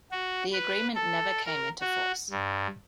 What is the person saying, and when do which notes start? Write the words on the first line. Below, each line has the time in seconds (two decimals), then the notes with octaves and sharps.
The agreement never came into force.
0.11 F#4
0.53 B4
0.96 A4
1.46 A#4
1.81 F#4
2.30 G2